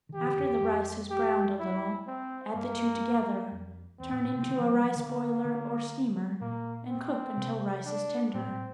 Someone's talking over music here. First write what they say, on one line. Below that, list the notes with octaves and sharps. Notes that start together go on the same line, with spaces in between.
After the rice has browned a little, add the two together, turn into a rice boiler or steamer and cook until rice is tender.
D3
E3 G4
D3
F2
E2
F2
G4
E4
C4
G2 A#3
F2
E2 C4
A2
A#2
C3
D3
F3
G3
F3
D3 A#3
D3
A#2 A#3
C4
C3
D4
A2 C4
A2